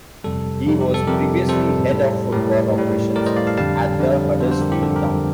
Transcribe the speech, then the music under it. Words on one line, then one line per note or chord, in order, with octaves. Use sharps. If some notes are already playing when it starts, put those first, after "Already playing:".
He was previously Head of Football Operations at Huddersfield Town.
F2 C3 G3 A4
F2 C3 G3
G4
A4
F2 C3 G3 G4 A#4
F2 C3 G3 A4 C5
A2 G3
A2 G3 A#4 D5
A2 G3
A2 G3 A#4 D5
C5 D#5
D5 F5
F5 A5
F2 D3 G3 F5 A5
F2 D3 G3
F2 D3 G3 A4 C5
A4 C5
G4 A#4
G4
F2 D3 G3 A4
G4 A#4